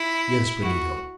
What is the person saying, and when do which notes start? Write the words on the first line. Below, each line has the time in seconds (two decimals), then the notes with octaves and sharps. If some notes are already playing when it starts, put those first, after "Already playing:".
"Yes, Benito."
Already playing: E4
0.62 F#4